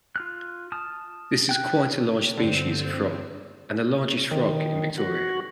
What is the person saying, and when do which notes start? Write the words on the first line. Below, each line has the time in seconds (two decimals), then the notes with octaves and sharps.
This is quite a large species of frog and the largest frog in Victoria.
0.16 F4 F6 F#6
0.72 A5 D#6 F6
1.49 G5 F#6
2.37 G2 D3 C4
4.31 D#3
4.98 F#4